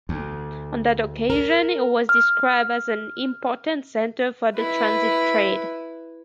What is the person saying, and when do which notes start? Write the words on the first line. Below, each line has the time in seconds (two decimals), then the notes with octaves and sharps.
On that occasion it was described as an "important centre for the transit trade".
0.09 D2
1.30 A#4
2.09 F6
4.55 E4 B4